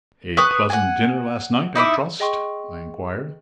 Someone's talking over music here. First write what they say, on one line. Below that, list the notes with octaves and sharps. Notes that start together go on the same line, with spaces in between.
"A pleasant dinner last night, I trust?" I inquired.
B4 C#6 D#6 F#6
F#5 G#5
D#4 E4 E5 D6
G#4 D#5 G5 C6 C#6